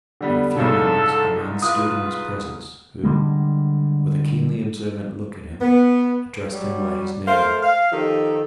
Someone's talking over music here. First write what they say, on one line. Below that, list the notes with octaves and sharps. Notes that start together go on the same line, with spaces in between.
In a few moments, a man stood in his presence, who, with a keenly observant look at him, addressed him by his name.
D3 G3 B3
C2 G#2 C#3 A4
F4 B4 D#6
D3 G3 G#3
B3
F#3 G3
A3 A#4 C5 F5
F5
D#3 F3 D#4 G4 A4